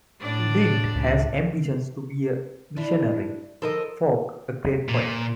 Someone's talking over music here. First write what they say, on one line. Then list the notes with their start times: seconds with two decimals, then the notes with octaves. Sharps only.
Lind has ambitions to be a missionary, Falk a great poet.
0.20 A2 D4 D5
0.95 C#2
2.77 D4 E4
3.62 F3 A4 A#4 D#5
4.89 A#2